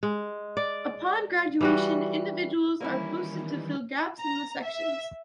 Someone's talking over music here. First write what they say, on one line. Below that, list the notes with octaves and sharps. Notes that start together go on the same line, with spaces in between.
Upon graduation, individuals are posted to fill gaps in the sections.
G#3
D5
E3 G3 F#4
D#3 E3 G3 A#3 C#4 E4
A#5
E5